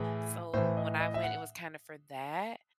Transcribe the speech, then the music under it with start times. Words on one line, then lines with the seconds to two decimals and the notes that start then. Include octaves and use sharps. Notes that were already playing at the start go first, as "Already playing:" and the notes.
So when I went, it was kinda for that.
Already playing: A2 E3 G#4
0.54 A2 E3 C5
0.77 D#5
1.00 D#5
1.14 E5
1.23 F#5